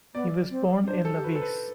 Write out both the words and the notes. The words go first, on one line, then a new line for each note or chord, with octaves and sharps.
He was born in Levice.
B3 D5
C4
C4
D4 C5
A4
G4
F#4 B4
A4
B4